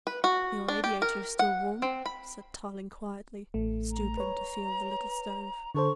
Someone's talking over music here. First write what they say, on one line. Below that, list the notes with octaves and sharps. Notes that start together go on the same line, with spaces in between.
"Your radiator is still warm," said Tarling quietly, stooping to feel the little stove.
B4
F#4
D4
G4
A#4
F#5
C4
B5
A1 A3
A#5
B4 C#5
D3 A4 C5 C#6